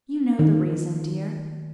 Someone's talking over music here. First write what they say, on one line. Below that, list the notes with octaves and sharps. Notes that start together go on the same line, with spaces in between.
'You know the reason, dear.
D#3